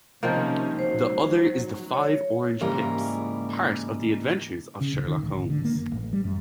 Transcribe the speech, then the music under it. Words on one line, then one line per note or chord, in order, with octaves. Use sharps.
The other is "The Five Orange Pips", part of "The Adventures of Sherlock Holmes".
C3 D#3 F3 A#3 C#4
C#2 F#3 C5
C#5
G#2 C#3 E3 G3 A#3 A#5
C#3
D1
D#3
D1
G#1
D3
A#3
F#1
A1
G3
F#2